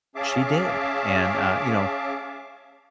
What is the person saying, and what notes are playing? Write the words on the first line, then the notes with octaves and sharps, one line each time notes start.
she did, and, uh, you know,
C#4 G#4 E5 F5 A5 D6